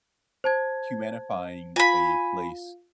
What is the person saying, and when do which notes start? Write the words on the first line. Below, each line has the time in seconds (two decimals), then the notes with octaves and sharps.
humanifying a place
0.44 C5 A5 G#6
1.76 F4 F5 G#5 B5